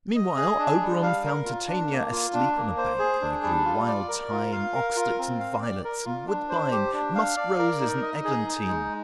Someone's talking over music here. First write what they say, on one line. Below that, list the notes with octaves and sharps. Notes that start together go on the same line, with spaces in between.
Meanwhile Oberon found Titania asleep on a bank where grew wild thyme, oxlips, and violets, and woodbine, musk-roses and eglantine.
D#5
G#4
D4
G3
F5
A#4
F4
D4
A#3
F4
D4
A#3
C5
G#4
D4
G3
F4
D5
A#4
F4
F5
A#4
F4
C4
F5
D5
A#4
F4
D4
C5
G4
D4
F5
D5
A#4
D#4
D#5
G#4
D#4
G#3